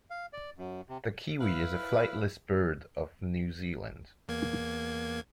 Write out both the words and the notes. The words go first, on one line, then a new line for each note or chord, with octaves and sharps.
The kiwi is a flightless bird of New Zealand.
F5
D5
F#2
C3
E4 B4 F5
E2 A#3 G#6